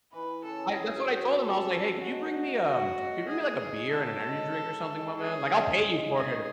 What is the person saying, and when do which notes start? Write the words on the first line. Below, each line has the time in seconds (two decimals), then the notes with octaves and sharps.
I that's what I told him, I was like, "Hey, could you bring me um could you bring me like a beer and an energy drink or something, my man? Like, I'll pay you for it
0.13 E3 B4
0.44 C#3 A4
0.75 F#2 G#4
1.07 F#2
1.38 C#4 A4
1.70 A3
2.02 D#3 F#4
2.34 D#3
2.66 F#3 F#4
2.97 D#3
3.28 G#2 G#4
3.61 G#2
3.92 F#3 A4
4.24 D#3
4.56 G#2
4.87 G#2
5.19 C#4 G#4
5.50 G#3
5.82 D#3
6.13 D#3 G#4